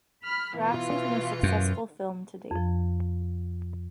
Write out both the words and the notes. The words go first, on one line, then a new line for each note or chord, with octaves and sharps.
Carax's most successful film to date.
B5 F6
B2 E3 F4
F#2
F2 F3